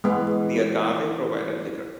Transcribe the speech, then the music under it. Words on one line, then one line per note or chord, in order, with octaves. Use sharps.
The agave provided liquor.
E3 G#3 B3